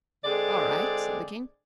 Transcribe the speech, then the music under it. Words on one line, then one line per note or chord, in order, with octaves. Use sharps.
"All right," said the King.
D3 G#3 C4 G#4 D5